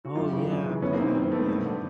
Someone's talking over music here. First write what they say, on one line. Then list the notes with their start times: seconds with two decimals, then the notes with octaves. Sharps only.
Oh yeah, I remember that yeah.
0.05 F#4
0.16 F#2 F4 G4
0.33 C#3 E3
0.49 F#2
0.66 C#3 E3
0.82 F#2 B3 C#4
0.93 A#3 C4
0.99 D#3
1.04 A#3 C4
1.15 F#2 A#3 C4
1.32 D#3 A3 B3
1.48 G2
1.65 D3